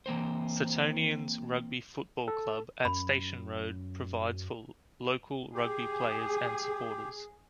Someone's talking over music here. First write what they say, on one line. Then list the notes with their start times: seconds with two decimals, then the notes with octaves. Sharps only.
Suttonians Rugby Football Club, at Station Road, provides for local rugby players and supporters.
0.06 E3 A#3 C4 C5
2.28 A4
2.85 F#2 B5
5.55 G4 G#4